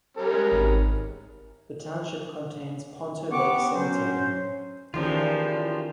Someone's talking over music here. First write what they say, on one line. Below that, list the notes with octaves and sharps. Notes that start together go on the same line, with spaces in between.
The township contains Ponto Lake Cemetery.
G3 C#4 A#4
G#3
G#1
B3 G4 C#6 D6
F#3 C#4 C5
E2 A2 D#3 F3 C#4 F4 G4 A#4